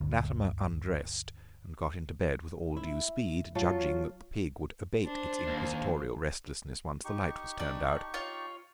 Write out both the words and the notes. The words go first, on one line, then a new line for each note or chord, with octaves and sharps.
Latimer undressed and got into bed with all due speed, judging that the pig would abate its inquisitorial restlessness once the light was turned out.
G1 D2
E4
F#3 F4 C#5 A5
D4 C5
D#2
D#4 G4 C#6
D4
F4 C#5